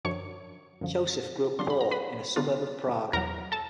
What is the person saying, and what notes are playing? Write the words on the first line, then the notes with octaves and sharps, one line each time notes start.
Josef grew up poor in a suburb of Prague.
F#2 D3 F3 C#5 C#6
F#2 D3 F3
D3 F#3 B3 D4 F4 C6
B5
A#5
B4 B5
D3 F#3 B3 D4 F4
E2 B2 F#3 A#4 A#5
A4 A5